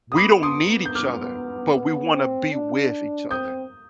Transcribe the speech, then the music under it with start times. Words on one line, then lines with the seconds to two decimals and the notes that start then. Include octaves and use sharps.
we don't need each other, but we wanna be with each other
0.12 D#6
0.17 B3 B5 D6
0.43 C6 D#6
0.85 G6
0.95 D6 F6
1.74 B3
2.14 C4
2.52 D4
3.30 C4 D#6 G6